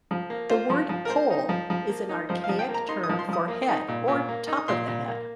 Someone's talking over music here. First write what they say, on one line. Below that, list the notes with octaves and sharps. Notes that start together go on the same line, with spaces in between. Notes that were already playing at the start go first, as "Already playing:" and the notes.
The word "poll" is an archaic term for "head" or "top of the head".
F3
A#3
F4 C5
F3
F3
A#4
A#3 C5
D#4
F3
F3
A#3
D#4
F3 C5
F5
F3
G5
A#3
A#5
D#4 C6
D#6
F3
C6
F3 D#6
A#3
D#4
A#2
A#2
A#3
D#4
D#6
A#2 C6
A#2
A#3